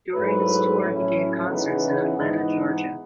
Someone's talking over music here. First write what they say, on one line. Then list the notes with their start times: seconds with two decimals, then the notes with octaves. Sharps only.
During this tour, he gave concerts in Atlanta, Georgia.
0.13 G#2 F#3 A3 E4 B4
0.81 A2 F#3 A3 C#4 E4
1.49 E2 C#3 E3 B3 D#4
2.16 G#2 E3 B3 D#4